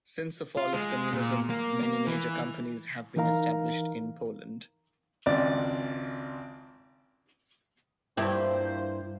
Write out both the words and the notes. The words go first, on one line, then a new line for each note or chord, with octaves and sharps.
Since the fall of communism many major companies have been established in Poland.
F4
G#3
A#2
A#3
A#3
E3
E3 D#4 A#4 F5 A#5
G#1 C#2 D5
G2 A#3 E4 F4 G4 C5